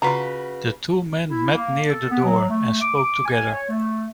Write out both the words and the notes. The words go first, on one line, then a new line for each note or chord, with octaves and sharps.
The two men met near the door, and spoke together.
C#3 F4 F#4 B4 A#5
E4
A#3
A4
B3
F#3
A3
D6
G#5
C#5
A3